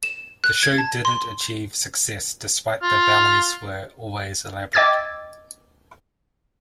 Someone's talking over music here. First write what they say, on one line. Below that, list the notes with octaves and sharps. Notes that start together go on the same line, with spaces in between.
The show didn't achieve success despite the ballets were always elaborate.
E7
F#6
G#6
A5
C6
F4 F6
D#5 G5 D6 E6 G#6 A6